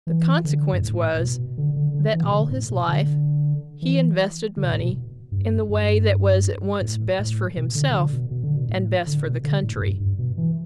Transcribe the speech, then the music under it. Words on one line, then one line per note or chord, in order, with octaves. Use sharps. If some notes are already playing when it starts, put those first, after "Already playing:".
The consequence was, that all his life he invested money in the way that was at once best for himself and best for the country.
E3
D3
G2
A2
A2
B2
D3
D3
D3
E3
B2
D3
A2
B2
D3
E3
D3
B2
A2
B2
G2
G2
A2
A2
B2
D3
B2
D3
B2
B2
D3
B2
A2
D3
B2
D3
A2
A2
G2
G2
B2
E3